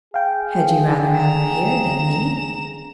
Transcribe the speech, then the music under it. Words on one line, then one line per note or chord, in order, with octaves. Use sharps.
"Had you rather have her here than me?"
G#4 F5 G5
A#5 E7